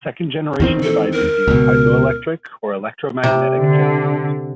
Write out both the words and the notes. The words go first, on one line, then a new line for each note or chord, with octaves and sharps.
Second generation devices used piezoelectric or electromagnetic generators.
E2 D#3 C4
A4
A#4
C#2 B2
C3
D3